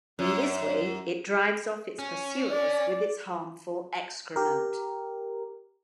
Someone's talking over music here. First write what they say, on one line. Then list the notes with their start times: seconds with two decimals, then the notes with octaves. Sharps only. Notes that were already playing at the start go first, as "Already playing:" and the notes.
In this way, it drives off its pursuers with its harmful excrement.
0.19 F#2
1.99 C#4
2.49 D5
4.36 G4 A#4